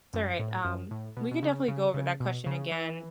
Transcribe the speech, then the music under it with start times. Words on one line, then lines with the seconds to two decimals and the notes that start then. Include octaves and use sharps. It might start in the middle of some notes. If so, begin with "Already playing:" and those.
It's all right, um, we could definitely go over that question again.
0.14 F#2
0.40 A2
0.65 F#2
0.91 A2
1.17 B2
1.31 B2
1.43 C#3
1.68 C#3
1.94 C#3
2.20 B2
2.46 C#3
2.72 E3